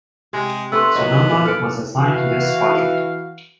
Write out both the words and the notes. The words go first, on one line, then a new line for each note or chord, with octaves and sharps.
"Sonoma" was assigned to this squadron.
C3 G#3 G4
A3 B3 D4 A4 C6 E6
F#3 A#3 D#4 D#5
A#2 C#3
A4 D5 F6 C#7
E3 F#4 F5